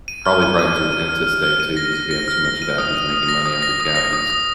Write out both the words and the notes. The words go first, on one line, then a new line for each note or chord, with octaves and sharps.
Probably brightens your dentist's day too, 'cause if you have too much of that he's making money off your cavities.
D#7
F6
D#7
D#7
F6
D#7
F6
F6
F6
D#7
A#6
F6
A#6
F6
A#6
D#7
D#6
D#6
D#6
A#6
D#6
A#6
D#6
A#6
D#6
D#6